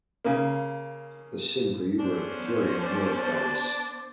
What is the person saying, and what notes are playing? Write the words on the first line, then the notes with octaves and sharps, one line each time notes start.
The Cimbri were very unnerved by this.
C#3 A#3
B3 C#4 D4 C5
D5